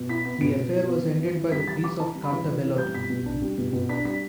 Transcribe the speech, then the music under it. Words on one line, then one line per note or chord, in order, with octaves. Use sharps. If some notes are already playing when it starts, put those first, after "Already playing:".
The affair was ended by the peace of Caltabellotta.
Already playing: B2
E4 B6
B3 B6
B2 D7
B2
E4
B3
E3
E3
E4
G3 B6
E3 A6
E3 D6
E4 A5
G3
B5
E3
E3
E4
G3 G6
B2 B6
B2
D4
G3
B2
B2
D4 B6
G3 B6